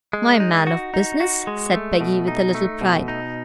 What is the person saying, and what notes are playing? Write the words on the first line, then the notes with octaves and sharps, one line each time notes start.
"My man of business," said Peggy, with a little pride.
G#3
D#4
F#4
D#4
F#4
G#3
A3
B2
D#4
A3
B2
D#4